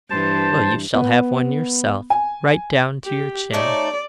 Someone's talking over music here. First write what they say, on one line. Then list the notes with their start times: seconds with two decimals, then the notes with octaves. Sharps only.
Well, you shall have one yourself, right down to your chin.'
0.10 G2 E3 C5 A5
0.94 B3
2.10 G#5
3.04 G4
3.53 A3 C#4 D#4 D5